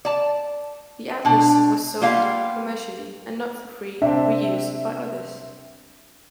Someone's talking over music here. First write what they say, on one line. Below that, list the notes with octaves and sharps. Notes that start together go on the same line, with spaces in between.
The atlas was sold commercially and not for free reuse by others.
D5 A5
B2 D4
G3 A#3 B3 F4 F5
C3 C4 D4 E5